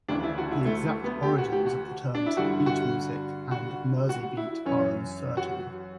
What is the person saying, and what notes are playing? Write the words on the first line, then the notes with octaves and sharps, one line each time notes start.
The exact origins of the terms 'beat music' and 'Merseybeat' are uncertain.
D2 C#3 E3 D4
E4
F#4
E4
A3
A3
B3
G4
F#4
G4
F#4
D4
E4
G2 D3 F#4
F#4
F#4
F#4
E4
F#2 E3 C#4
F#4